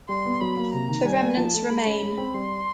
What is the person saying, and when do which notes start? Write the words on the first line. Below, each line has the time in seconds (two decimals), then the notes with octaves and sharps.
The remnants remain.
0.09 G3 C6
0.25 B3
0.41 F#3 B5
0.57 A#3
0.73 C3 A#5
0.89 D#3
1.05 G3 G#5
1.21 A#3
1.37 F3 A5
1.54 A3
1.70 G#3 B5
1.86 C#4
2.03 G#3
2.18 C4
2.34 G3 C6